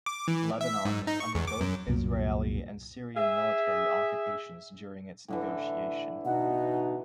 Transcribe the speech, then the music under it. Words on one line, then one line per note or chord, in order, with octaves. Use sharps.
Lebanon was under both Israeli and Syrian military occupations during its negotiation.
D6
E3
E5
G#2
D#4
C#6
E2
D6
F#2
C2 F#2 A#2 F#3
G#4 E5
A2 D3 E3
B2 D#4 F#5